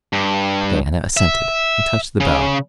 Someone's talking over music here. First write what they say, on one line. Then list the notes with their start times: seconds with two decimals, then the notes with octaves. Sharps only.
Diana assented, and touched the bell.
0.13 G2
1.17 E5
2.20 C#3